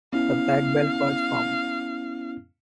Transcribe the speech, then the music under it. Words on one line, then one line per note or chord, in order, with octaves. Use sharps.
The Black Belt was formed.
B3 C#4 E4 F5